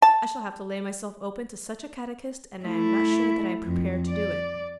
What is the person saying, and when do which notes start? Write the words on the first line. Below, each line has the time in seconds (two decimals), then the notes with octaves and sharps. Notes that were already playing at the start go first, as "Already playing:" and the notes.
I shall have to lay myself open to such a catechist, and I am not sure that I am prepared to do it.'
0.02 A5
2.65 A3 E4
3.65 F2
4.10 D5